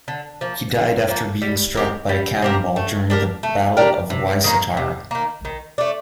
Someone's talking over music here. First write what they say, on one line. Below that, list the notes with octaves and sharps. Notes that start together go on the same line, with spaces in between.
He died after being struck by a cannonball during the Battle of Wai Satara.
D3
F3 A#3
D3
F3 A#3
G3
C4 G4 A#4
G3
C4 G4 A#4
A3
D4 G4 A#4
A3
D4 G4 A#4
C3
D#3 A#3
C3
D#3 A#3
D#3
A3 D4